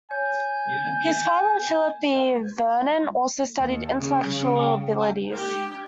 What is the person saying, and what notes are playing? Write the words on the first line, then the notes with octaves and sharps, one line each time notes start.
His father Philip E. Vernon also studied intellectual abilities.
C#5 G#5 G6
D#2
C#3
G4